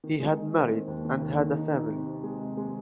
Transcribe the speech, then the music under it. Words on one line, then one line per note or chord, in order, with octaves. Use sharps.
He had married and had a family.
D#3
G#3
D#3
C4
D#3
D#2
D#3
D#2
D#3
D#4
D#4
C3
C3
G#3
C3
G#3